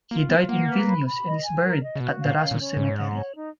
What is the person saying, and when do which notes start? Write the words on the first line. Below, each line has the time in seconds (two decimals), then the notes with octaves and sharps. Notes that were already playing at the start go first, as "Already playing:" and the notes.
He died in Vilnius and is buried at the Rasos Cemetery.
0.11 A#3 F4
0.29 B3 F4
0.49 A#3 F#5
0.67 B4
0.87 B5
1.06 B5
1.25 D#5
1.44 G#5
1.62 A#4
1.82 D#5
1.96 C#3
2.00 B2 F#4
2.19 F5
2.26 A#2
2.39 C#4
2.51 A#2
2.57 C#4
2.76 G#2 C#5
2.96 F#5
3.14 C#5
3.34 D#4